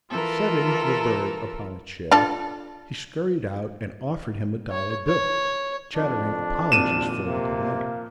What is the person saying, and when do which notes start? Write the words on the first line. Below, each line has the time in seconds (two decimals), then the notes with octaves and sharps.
Setting the berg upon a chair, he scurried out, and offered him a dollar bill, chattering apologies for the delay.
0.11 E3 F4 A4 A#4
2.12 D4 F4 A4
4.70 C#5
5.07 C#5
5.96 F2 D4
6.72 G#1 F2 A#2 D#7 E7
7.26 C3 A#3